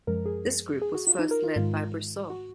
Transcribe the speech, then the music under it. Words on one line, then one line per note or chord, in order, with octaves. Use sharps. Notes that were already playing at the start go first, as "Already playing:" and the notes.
This group was first led by Brissot.
F#2 F3 G#3 A#4
G#4
G#4
F#4
F4
D#4
A#4
F4
G#2 D#3 G#3 F4
F#4